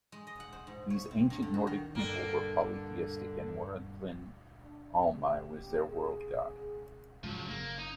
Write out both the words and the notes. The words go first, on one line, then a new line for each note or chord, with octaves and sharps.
These ancient Nordic people were polytheistic and "Waralden Olmai" was their "world-god".
G#3
D#5
F#5
C5
G#2
C#5
C4
G2
D3
F#4
D#3
G2 D3 A#3 D4
D4
G4
G#4
G#2 C#3 F3 F#3
C#3
F#1 C#3 A#3
D#4